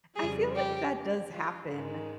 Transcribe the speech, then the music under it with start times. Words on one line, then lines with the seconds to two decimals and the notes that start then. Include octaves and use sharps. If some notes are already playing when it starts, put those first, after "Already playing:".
I feel like that does happen
0.16 F2 C#3 G3 G#4
0.56 G4
1.34 F4
1.72 G#2 D#3 G#3